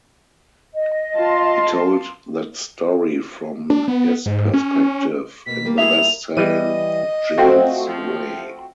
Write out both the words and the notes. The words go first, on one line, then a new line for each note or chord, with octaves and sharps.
He told that story from his perspective in the best-selling "Jean's Way".
D#5
F4 A5 C6
D4
B3
G#2
C#4
B2 A#3 B6
G3 A#3
E4 G#4 E5 F7
E3 G3 D#5 D#7
A3 C4 F4 F#4
F3